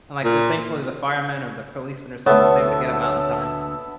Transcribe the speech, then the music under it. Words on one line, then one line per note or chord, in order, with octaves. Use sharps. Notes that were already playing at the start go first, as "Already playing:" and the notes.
and, like, the thankfully the fireman or the policeman or something was able to get him out in time.
A#2
D2 B3 A4 C#5 E5 A5 E6